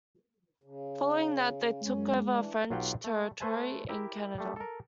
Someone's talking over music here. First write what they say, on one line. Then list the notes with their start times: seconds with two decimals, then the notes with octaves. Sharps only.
Following that, they took over French territory in Canada.
0.64 C#3
1.82 F#2 G#3 C#4
2.29 E3 D4
2.70 B1 F#3 F4 G4 F#5 G5
3.04 A3
3.40 A3 B4 C5 E5 G#5 A5
3.89 E4 G4 A#4 E5
4.38 G3 A3
4.56 A4 A#4